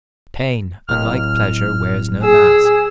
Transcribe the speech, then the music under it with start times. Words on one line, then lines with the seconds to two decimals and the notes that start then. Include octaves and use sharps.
Pain, unlike pleasure, wears no mask.
0.89 D1 F6
2.23 G#4 E6